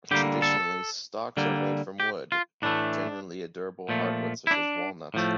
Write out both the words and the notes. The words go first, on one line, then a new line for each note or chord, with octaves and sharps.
Traditionally, stocks are made from wood, generally a durable hardwood such as walnut.
D3 G3 A#3 G4
A4
D3 G3 A#3
G4
F4
A2 E3 A3 D4
A#2 F3 A3
E4
D4
A2 F3 A3